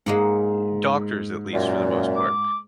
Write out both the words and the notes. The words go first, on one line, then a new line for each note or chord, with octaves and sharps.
e doctors, at least for the most part,
G#2 G#3 A#3 F#5
F#2 A#2
D6